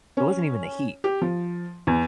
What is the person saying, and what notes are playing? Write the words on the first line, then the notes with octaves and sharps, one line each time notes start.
it wasn't even the heat.
C#4
G4
F3
E2